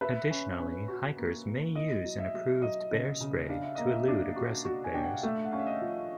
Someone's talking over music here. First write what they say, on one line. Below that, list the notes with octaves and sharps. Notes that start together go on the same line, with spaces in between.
Additionally, hikers may use an approved bear spray to elude aggressive bears.
B4 E5
C#4
C#4
F#4
A#3
A#3
E4 D#5
F#3
E5
F#3
F#3 D#5
C#3
C#3
D4 F5
E5
A#3 D#5
E5
D4
F#4
F#4
G#5
D4 G5
F#5
F5
A3 E5
F#5
C#4 F5
E5
D#5
F3